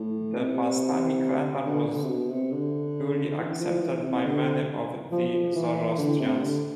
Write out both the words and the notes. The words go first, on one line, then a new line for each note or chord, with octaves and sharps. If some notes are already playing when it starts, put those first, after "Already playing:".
The "Bastani" calendar was duly accepted by many of the Zoroastrians.
Already playing: A2
C3
D3
D3
C3
B2
C3
D3
D3
E3
F3
E3
C3
C3
D3
F3
F3
E3
D3
C3
D3